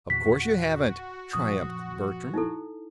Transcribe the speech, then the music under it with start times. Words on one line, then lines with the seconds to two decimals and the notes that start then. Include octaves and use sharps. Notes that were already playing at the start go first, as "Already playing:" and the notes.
"Of course you haven't," triumphed Bertram.
0.10 E2 A#2 D3 F#4 B6
1.33 F#2 A#2 F3 D#6
2.34 D#4 E4 A4